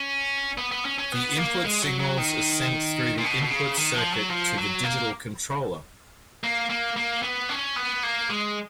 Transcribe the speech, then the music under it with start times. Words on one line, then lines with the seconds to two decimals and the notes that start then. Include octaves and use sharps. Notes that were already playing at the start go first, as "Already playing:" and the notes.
The input signals are sent through the input-circuit to the digital controller.
Already playing: C#4
0.58 B3
0.72 B3
0.85 C#4
0.98 C#4
1.12 B3
1.38 A#3
1.65 G#3
1.82 F#3
2.00 F#3
2.17 D#3
3.18 A#2
3.24 B2
3.42 B2
3.51 C#3
3.77 D#3
3.95 F3
4.13 F#3
4.30 F3
4.58 F#3
4.84 A#3
6.44 A#3
6.70 A#3
6.96 A#3
7.22 B3
7.49 C#4
7.76 B3
8.03 A#3
8.30 G#3